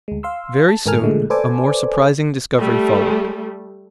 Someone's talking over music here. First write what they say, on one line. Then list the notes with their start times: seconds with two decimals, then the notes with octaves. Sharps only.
Very soon, a more surprising discovery followed.
0.08 D2 G#3
0.23 F5 C6 E6
0.68 A5
0.86 G#2 D#3 A4 A#4 G#5 F6
1.02 A#2 D3 G#3 A3
1.30 A4 B4 C5 D5 G#5 D6
2.57 G3 A3